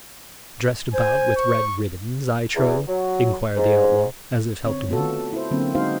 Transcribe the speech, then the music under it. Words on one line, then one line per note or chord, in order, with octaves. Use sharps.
"Dressed about with red ribbons, I trow?" enquired the outlaw, as if helping him.
C5 G#5
C#6
E2
F#3
G#2
D3 C4 C#5
A3 B3 F4 F#4 A4
E4 C5
D3 F#3 A#3 C4 C#4
G#3 D#4 F#4 C5 F5